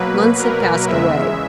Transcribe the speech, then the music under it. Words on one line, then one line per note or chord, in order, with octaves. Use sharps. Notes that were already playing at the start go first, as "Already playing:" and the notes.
Months had passed away.
Already playing: B2 F#3 A#3 B4
A#4
E2 C#3 G#3 E5